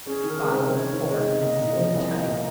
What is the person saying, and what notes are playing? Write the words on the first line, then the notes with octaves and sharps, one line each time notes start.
Bottle, cork, and seal it tight.
C#4 G#4
D#3
A#4
G#3
C5
C3
C5
C#4 C#5
D#3
G#3 D#5
C3
A#3
A#2
F3
C2
A#3
A#2